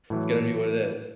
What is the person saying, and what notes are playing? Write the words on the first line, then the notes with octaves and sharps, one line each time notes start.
it's gonna be what it is,"
A2 E3 F#3